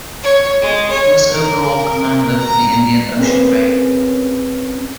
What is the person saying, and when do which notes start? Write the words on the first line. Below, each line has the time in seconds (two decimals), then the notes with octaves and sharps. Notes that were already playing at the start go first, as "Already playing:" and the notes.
He was overall commander for the Indian Ocean Raid.
0.24 C#5
0.62 G#3
0.90 C#5
1.33 A#4
2.38 A#5
3.19 C4 C#4 G#4 A#4 B4